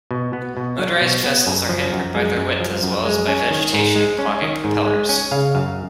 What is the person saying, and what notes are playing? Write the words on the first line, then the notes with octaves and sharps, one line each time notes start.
Motorised vessels are hampered by their width as well as by vegetation clogging propellers.
B2
B3
B2
F#3
B2
B3
F#2
F3
F#2
G#3
F#2
F3
F#2
G#3
C#4 G#5
D#3
G#2
G#3
C#4
D#3
G#2
G#3
C#4 G#5
C#3 F5
F#2 F5